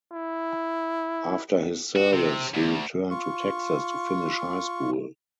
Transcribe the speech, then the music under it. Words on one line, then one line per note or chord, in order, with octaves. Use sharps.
After his service, he returned to Texas to finish high school.
E4
F#4
C3
D2
F4 C#6